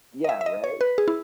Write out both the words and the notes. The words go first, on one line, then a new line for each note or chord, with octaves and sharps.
Yeah, right?
D#5
E5
E5
D#5
C#5
B4
G#4
E4